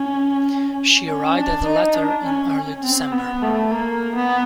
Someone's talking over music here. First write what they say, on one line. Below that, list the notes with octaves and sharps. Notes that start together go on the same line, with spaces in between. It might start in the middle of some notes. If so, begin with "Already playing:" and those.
She arrived at the latter in early December.
Already playing: C#4
C#4
D4
D#4
D4
C#4
C#4
C4
B3
A3
A#3
B3